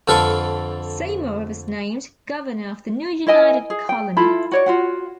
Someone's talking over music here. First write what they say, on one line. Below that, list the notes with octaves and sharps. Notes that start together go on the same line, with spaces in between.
Seymour was named governor of the new united colony.
F2 D3 A4 B4 F5 C#6
E4 A#4 D#5 G#5
G#4
G5
E4 F4 A4 B5
F#4 C#5 D5
F4 F#4 F#5